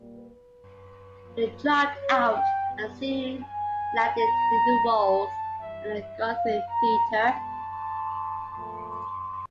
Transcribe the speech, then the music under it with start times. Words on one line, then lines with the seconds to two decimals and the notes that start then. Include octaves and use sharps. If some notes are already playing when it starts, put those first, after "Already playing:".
He dropped out and soon landed leading roles at the Guthrie Theater.
Already playing: A#2 G3 A#3
0.13 B4
1.22 A2 F3 A#3
1.96 C#5
2.31 G5
2.68 E2 B2 G3 B3
3.41 G#5
4.14 B2 F#3 B3 A#5
4.86 A5
5.60 G2 E3 G3 E5
5.95 E5
6.33 F5
6.68 A#5
7.05 B2 G#3 B3 A5
8.50 A#2 F3 A3